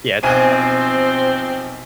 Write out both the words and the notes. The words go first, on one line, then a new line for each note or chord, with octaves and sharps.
Yeah, it's tough.
B1 F3 C4 C5 G#5 D#7